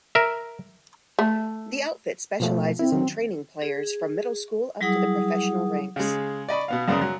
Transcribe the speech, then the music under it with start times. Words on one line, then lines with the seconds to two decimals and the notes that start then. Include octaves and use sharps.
The outfit specializes in training players from middle school up to the professional ranks.
0.15 A#4 E5
1.19 A3
2.40 B2 F3 A3
2.79 C4 E4
2.92 D#3 F#3
3.62 G#4
4.81 F#3 G3 E4 G#4 F#5 D#6
5.96 C#3 G#3
6.49 D5 D#5 B5 C#6
6.68 B2 B3 F5
6.88 F#2 C#3 B3 D5 A#5 D#6
7.02 F#3